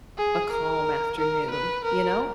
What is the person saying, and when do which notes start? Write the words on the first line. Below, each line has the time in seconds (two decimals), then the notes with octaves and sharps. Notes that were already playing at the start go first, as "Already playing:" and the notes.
a calm afternoon, you know?
0.18 G#4
0.51 A#4
1.17 A#4
1.51 B4
1.84 A#4